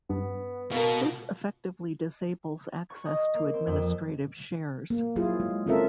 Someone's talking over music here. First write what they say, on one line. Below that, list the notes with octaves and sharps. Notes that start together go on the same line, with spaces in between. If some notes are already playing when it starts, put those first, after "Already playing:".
This effectively disables access to administrative shares.
G2 B3
B2 A#4 F5
C#6
D#5
A#3
C4
F2
A#3
F#3 E4 F4 G#4
G#3
C4 C#4 F4 A4 A#4 E5